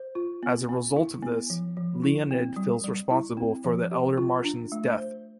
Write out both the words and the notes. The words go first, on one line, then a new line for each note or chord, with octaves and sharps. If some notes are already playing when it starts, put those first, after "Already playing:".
As a result of this, Leonid feels responsible for the elder Martian's death.
Already playing: C5
F4
B3
B3
E4
B3
F3
F3
E4
C4
G3
G3
E4
C4
F3
G4
F4
D4
A3
C5